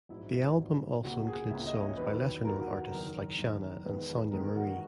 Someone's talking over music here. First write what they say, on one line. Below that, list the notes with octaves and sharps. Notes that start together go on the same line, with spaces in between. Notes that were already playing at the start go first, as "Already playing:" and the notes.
The album also includes songs by lesser-known artists like Shanna and Sonja Marie.
A#1 G#2 F#3 E4
A#1 G#2 F#3
C#2 B2 A#3 C#4 F#4
G#4
C#2 B2 A#3 C#4 E5
D#5
C#5
E2 D#3 F#3 B4
E2 D#3 F#3 A#4
F#4
F#1 E2 D#3 A#4
F#1 E2 D#3
E1 E2 D#3 G#3 B3 B4
E1 E2 D#3 G#3 B3 A#4
A#4
F#4
F#4